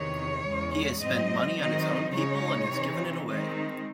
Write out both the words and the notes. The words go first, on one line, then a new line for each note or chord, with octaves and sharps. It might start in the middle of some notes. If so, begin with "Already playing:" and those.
He has spent money on his own people and has given it away.
Already playing: E2 C3 D#3 C#5
E2 C#3 G#3
G#2 F#3 C4 D#5
D#3 F#3 C4 D#4 D#5
C#3 G#3 D#4 C#5
C3 E3 C4 D#4
D#3 G#3 C4 D#4